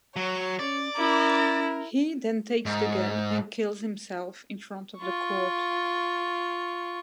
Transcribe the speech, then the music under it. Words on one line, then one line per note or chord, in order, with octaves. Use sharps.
He then takes the gun and kills himself in front of the court.
F#3 C#5
C#4 D5
C#4 E4 A#4
G#2
F4 C#6